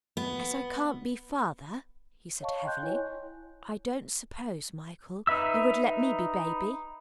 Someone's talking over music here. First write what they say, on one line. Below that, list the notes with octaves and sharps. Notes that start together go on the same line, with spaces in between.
'As I can't be father,' he said heavily, 'I don't suppose, Michael, you would let me be baby?'
B3
C#5 D#5 F5 A5 C#6
D#5 G5 C6 F#6 G6
E4 C#5 G#5
D#4 B4 E5 E6